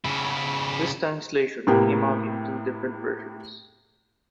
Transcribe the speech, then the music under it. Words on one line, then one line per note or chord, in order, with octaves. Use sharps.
This translation came out in two different versions.
C#3 E4
A2 C3 A#3 B3 G4